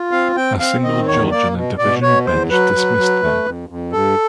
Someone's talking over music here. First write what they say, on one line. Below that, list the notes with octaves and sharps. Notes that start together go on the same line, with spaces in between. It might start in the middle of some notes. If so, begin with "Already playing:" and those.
A single judge and a Division Bench dismissed them.
Already playing: F4
C4 F5
C4 G5
C4 F5
D#3 D#5
E2 C#5
A#3 D5
B2
B2 D5
B2 C#5
E2 C5
F#3 B4
F#3
F#3
A3
F2
F2
G2 A4